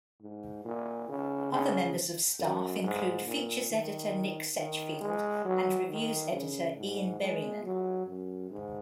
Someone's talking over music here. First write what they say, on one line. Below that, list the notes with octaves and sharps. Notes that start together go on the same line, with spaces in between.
Other members of staff include features editor Nick Setchfield and reviews editor Ian Berriman.
G#2
A#2
C#3
C#3
F#2
G#2
A#2
D#3
D#3
G#3
F#3
D#3
C#3
G#2
G#3
F#3
F#2
G#2